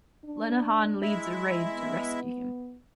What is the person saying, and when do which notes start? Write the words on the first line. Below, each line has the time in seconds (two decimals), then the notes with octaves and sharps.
Lenihan leads a raid to rescue him.
0.25 D4
1.02 G#3 E4 E5
1.73 B3